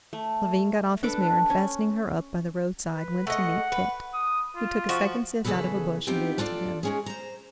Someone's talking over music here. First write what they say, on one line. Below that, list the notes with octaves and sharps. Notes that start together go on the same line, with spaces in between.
Levin got off his mare, and fastening her up by the roadside went to meet Tit, who took a second scythe out of a bush and gave it to him.
A3
D4 A4 B4 D6
C#4
B4
A3 D#5 F#5
B4
D#6
F4
F3 F#4
E2 C#3 F#3 G#4 A4 B4
B3 C4 D#4 F4 G4
D4 F4 A4 D5
G#3 C#4 G#4
C5 A#5